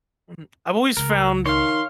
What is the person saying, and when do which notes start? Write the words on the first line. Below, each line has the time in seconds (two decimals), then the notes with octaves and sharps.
Mm, I've always found
0.97 C#2 A#4
1.46 D#3 C#5 F5 C6